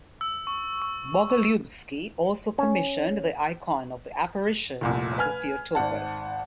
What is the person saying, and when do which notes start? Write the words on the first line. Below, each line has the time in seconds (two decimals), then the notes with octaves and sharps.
Bogolyubsky also commissioned the icon of the apparition of the Theotokos.
0.21 E6
0.47 C#6
0.82 C#6
1.30 C#6
2.58 C#4
4.81 F1 C2 A#2
5.18 B4 G#5 F6 G#6
5.75 G#1 D5 F#5 A5